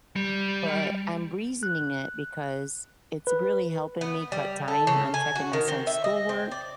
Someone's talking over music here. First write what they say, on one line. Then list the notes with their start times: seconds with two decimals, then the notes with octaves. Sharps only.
but I'm reasoning it because it's really helping me cut time on checking my son's schoolwork.
0.16 G3
1.63 F#6
3.27 B4
4.01 B3
4.32 G3
4.68 A4
4.87 C#3
5.14 G#5
5.35 F#4
5.53 D#3
5.68 C4
5.87 E5
6.04 D#5
6.29 C4
6.51 D5